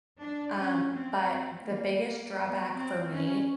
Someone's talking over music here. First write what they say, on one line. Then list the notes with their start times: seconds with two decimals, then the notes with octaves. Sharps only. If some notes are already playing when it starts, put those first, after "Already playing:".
um, but the biggest drawback for me
0.18 D4
0.54 C#4
0.90 C4
1.27 C4
1.63 A#3
1.99 A#3
2.36 B3
2.72 C4
3.09 C#4